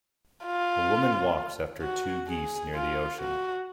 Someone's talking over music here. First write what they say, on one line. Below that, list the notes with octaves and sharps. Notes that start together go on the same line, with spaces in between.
A woman walks after two geese near the ocean.
F4
F#4
G#4
F4
F#4